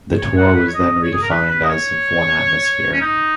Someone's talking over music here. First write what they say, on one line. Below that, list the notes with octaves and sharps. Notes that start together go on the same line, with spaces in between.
The torr was then redefined as of one atmosphere.
C#5
F#5
B4
C#5
D#5
C#5
G#4
A#4
B4
B4
D#5
C#5
C#4
D#4